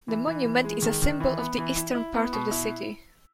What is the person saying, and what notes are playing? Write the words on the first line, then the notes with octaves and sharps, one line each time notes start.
The monument is a symbol of the eastern part of the city.
E3
E3
E3
G#3
D#3
D#3
E3
B3
E3
E4
E4
B3
B2
E4